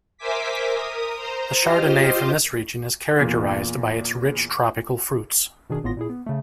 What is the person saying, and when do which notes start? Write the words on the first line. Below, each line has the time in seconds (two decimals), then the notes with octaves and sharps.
The Chardonnay from this region is characterized by its rich, tropical fruits.
0.17 A#4 C5 E5 G#5 D6 B6
0.71 A#4 D#6
1.17 C5 A#5
1.62 F4 G4 C5 D#5 F5
3.20 E2 A#2
5.70 B2 D#3 D4 G#4
5.84 G#1 A2 B3 F4 C6 A#6
5.97 A#2 E4 G#4
6.10 B3
6.26 C#3 A3